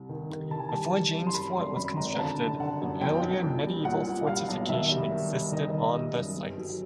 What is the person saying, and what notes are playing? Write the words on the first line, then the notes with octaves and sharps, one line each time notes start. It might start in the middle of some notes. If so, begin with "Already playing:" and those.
Before James fort was constructed, an earlier medieval fortification existed on the site.
Already playing: C2 C3
D#3
D#3
D#3 A5
G#5
G3 A5
G3
C2
C6
F#2 B5
G#1 C6
F#2 B5
G#1 A#5
D3 A5
D3
D3 F#5
F#2
B1 G5
B1
A#2
G3
A#2 F#5
A#2
G3 F5
B1
D#3 E5
G3
D#3
G3
D#3 D#5
D#3
G3
F#2
G1
F#3